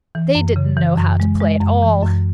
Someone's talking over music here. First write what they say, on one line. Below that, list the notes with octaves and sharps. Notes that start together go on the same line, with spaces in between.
They didn't know how to play at all.
E3
F#2
C#3
E3
F#2
G#3
G#3
F#2
E3
F#2